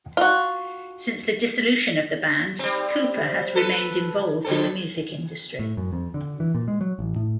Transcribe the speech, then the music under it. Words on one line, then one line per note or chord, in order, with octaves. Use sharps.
Since the dissolution of the band, Cooper has remained involved in the music industry.
F4 F#4
G3 C4
A4 B4
D3 C4 A4
A2
F#2
F2
D3
E3
A#2
G#3
F#3
A1
A2